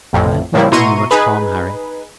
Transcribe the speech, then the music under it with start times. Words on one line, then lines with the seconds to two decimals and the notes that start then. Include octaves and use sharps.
I had not done you much harm, Harry.
0.13 A1 F2 A2
0.54 A2 C#3 F3 G3 A#3 E4
0.72 B2 E4 A#5 C6 C#6 D#7
1.11 D#4 G#4 B4